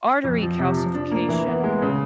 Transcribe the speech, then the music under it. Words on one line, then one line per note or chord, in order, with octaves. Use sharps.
artery calcification.
F2
F3
C3
F3
D4
A#3
E3
B3
G#3
C#3